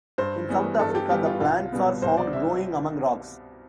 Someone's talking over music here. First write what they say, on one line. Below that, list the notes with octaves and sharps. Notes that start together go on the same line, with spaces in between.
In South Africa the plants are found growing among rocks.
G2 C5
E3 G3 B3
G2 A4
A4
G4
E3 G3 B3 G4
F4
C2 F4
B2 G3 B3
C2 C5
D5
E5